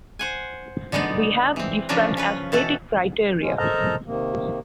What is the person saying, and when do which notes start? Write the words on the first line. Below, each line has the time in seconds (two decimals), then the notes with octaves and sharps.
We have different aesthetic criteria.
0.19 C5 F#5 G#5
0.92 D3 G#3 B3 D#4 D5
1.56 E3 C4
1.89 C#3 F3 C#4 D4 A#4 B4
2.17 C#4 F4 B4
2.52 B2 E3 F#4 A4
3.41 F3 G#3 C#4
3.58 A4 A#4 C5 D#5 A5 A#5
4.06 C3 D#3 A#3